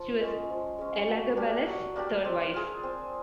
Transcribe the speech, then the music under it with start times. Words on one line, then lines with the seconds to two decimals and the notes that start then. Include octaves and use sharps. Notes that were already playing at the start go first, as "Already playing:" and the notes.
She was Elagabalus' third wife.
Already playing: F3
0.21 G#3 C#4
0.50 F3
0.79 G#3 C#4
1.08 F#3
1.37 A#3 D4 G4
1.66 F#3
1.96 A#3 D4 G4
2.25 C4
2.54 F4 G#4
2.83 C4